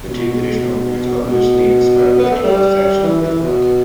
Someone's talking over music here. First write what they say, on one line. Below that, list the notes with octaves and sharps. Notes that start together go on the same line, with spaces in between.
The two additional runes are loosely inspired by the Anglo-Saxon Futhorc.
B2
B2
B3
A3
G3
E3
E3
B2